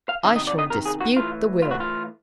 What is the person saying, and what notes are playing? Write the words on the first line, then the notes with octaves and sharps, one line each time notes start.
"I shall dispute the will."
F5
C3 D#3 E5
D#5
D5
D#5
C3 D#3 A#4
G#4
F#4
A2 E3 F4
A2 E3 F4
F#4
F4